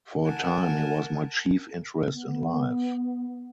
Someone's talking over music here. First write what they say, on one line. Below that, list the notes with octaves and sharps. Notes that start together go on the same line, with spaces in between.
For a time, he was my chief interest in life.
A#4 F#5 G#5 A5
B3